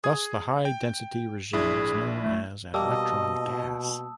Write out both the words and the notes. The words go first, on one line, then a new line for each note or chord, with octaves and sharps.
Thus the high-density regime is known as an "electron gas".
G#4 D#6 G#6
G5
A#1 D4 E4 G#4
A3
B2 G3 A#3 D#5 A5 D#6 E6